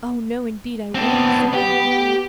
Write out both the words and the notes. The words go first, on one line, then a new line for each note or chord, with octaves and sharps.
"Oh, no, indeed, I won't," said Anne eagerly.
B3 C4 D4
G4